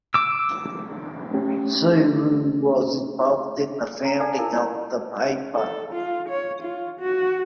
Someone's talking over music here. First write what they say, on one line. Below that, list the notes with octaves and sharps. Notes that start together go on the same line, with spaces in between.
Xu Wu was involved in the founding of the paper.
D6 E6
A3 C#4 G4
A#5
A4 D5 F#5 G#5 A5
E4 F4 A4 A#4 F5 A5
F4 C#5 D5
A4
F4
C#5
F4
F#4